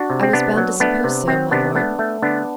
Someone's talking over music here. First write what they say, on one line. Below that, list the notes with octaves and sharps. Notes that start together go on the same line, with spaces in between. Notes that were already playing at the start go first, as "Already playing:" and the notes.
"I was bound to suppose so, my lord."
Already playing: D4 F#4
C3
C4
C3 B3 D4
F#3
A3 B3 D4
C3
F#3 C4
C3 B3 D4
A3 B3 D4
A3
D3 B3 D4